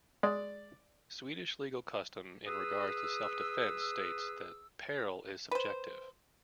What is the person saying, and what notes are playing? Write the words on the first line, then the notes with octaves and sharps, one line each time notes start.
Swedish legal custom in regards to self-defense states that peril is subjective.
G#3 D5
G#4 B4 D#6 E6
B4 C5